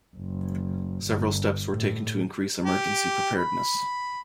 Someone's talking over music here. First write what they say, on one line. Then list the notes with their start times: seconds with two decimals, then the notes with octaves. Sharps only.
Several steps were taken to increase emergency preparedness.
0.16 F#1
1.06 G1
1.70 A2
2.66 G4
3.38 B5